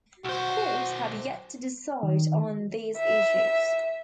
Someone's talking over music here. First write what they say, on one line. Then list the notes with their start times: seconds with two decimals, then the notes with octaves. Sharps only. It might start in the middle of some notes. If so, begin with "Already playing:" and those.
Courts have yet to decide on these issues.
0.25 B1 F#4 C5
2.03 D#3
2.98 E5